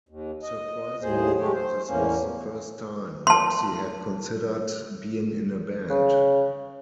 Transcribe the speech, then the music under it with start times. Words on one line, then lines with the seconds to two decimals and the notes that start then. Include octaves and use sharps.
Surprisingly, this was the first time Roxy had considered being in a band.
0.09 D#2
0.43 D#5
1.03 D#2 A2 G#4 C5
1.39 G#3 A3 G4
1.55 C5
1.88 E2 A2 A#3 C#4
3.27 A5 C6
5.90 C#3